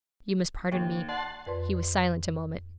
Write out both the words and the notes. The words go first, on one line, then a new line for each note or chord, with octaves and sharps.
You must pardon me.' He was silent a moment.
D#2
D5 F#5 A5 C6
F2 B4 D5 C6